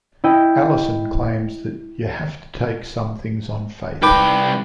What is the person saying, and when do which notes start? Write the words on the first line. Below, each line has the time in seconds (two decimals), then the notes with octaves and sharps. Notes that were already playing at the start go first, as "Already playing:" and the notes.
Allison claims that "you have to take some things on faith".
0.24 E4 D#5 G5
4.03 C2 D#4 B4 G5 D6